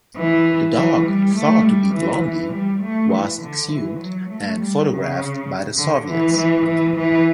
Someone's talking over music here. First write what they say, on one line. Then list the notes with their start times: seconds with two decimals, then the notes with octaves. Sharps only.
The dog thought to be Blondi was exhumed and photographed by the Soviets.
0.16 E3
0.76 E3
1.06 G3
1.35 A3
1.64 G3
1.94 E3
2.23 E3
2.53 G3
2.83 A3
3.13 E3
3.42 D3
3.72 E3
4.00 F#3
4.30 A3
4.60 G3
4.89 C#3
5.77 D3
6.08 E3
6.37 E3
6.66 E3
6.97 E3